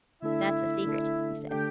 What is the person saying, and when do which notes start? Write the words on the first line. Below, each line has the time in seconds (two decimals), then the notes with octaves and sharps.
"That's a secret!" he said.
0.22 D3 A3 D4 E4 A4 E5
0.86 D3 A3 D4 A4
1.50 D3 A3 D4 G4 A4 G5